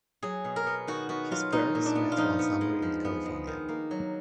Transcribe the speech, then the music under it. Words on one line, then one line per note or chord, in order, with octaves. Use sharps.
His parents met one summer in California.
F#3 G#4
B2
A#4
B3
D#3 F#4
B3 F#4
F#3 F4
G#3 D#4
A#2
D4
B3
F4
F3 D#4
B3
G#3
F3
B3
G#3
D#3
A#3
F#3